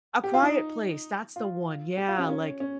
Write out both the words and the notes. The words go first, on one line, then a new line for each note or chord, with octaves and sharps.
A Quiet Place, that's the one, yeah, like,
G4
F4
D#4
F4
G4
F4
C#4
C#4
C#4